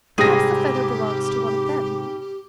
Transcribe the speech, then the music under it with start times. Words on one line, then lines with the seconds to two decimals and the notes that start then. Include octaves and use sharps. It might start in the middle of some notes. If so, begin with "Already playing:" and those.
Perhaps the feather belongs to one of them.'
0.18 G#2 C3 G3 G4 G#4 A#6